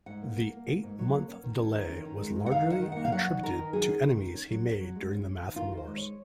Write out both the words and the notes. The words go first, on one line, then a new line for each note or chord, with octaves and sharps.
The eight-month delay was largely attributed to enemies he made during the Math Wars.
G#2 F#5
A#3
A#3
A#3
A#3
G#2
F#3
A#3
C#4
D#3
C#4
D#3
C#4
D#3
G#3
G#2
F#5
D#3 F5
D#3 F#5
D#3
A#3 F#5
F5
F#3 F#5
D#3
D#3 A#4
D#3
F#3 G#4
C#4
D#3
D#3
C#4
F#3
C#4
F#3
G#3
C#4
C#4
D#3
D#3 F4
D#3
C5
G#3
C#5